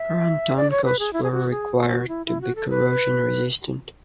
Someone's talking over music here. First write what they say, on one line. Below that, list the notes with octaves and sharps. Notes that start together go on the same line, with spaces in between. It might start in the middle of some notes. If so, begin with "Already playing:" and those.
Ground anchors were required to be corrosion resistant.
Already playing: E5
D5
C#5
B4
G#4
E4
G#4
F#4
G#4
F#4
E4
E4
F#4
A4
B4